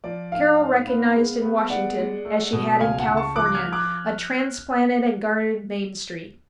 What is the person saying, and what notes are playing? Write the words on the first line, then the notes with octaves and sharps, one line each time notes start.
Carol recognized in Washington as she had in California a transplanted and guarded Main Street.
F3 D5
G#2 F5
G#2
B3
G#3
B3
G#3 D5 F#5
G#3
A3
B2
C#2 F5 G#5
F#5 A5
C#2
A5 C#6
F3 D6 F#6
F6 G#6
F3
D6 F#6